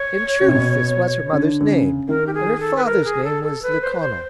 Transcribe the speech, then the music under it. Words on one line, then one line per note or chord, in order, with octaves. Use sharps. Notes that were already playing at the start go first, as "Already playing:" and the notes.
In truth this was her mother's name, and her father's name was Liconal.
Already playing: C#5
C#3
C3
B2
D3
D3
C#3
D#3 A#4
G4
G#4
A4
B4
A#4
G#4
A4
A4
B4
C5
B4
C5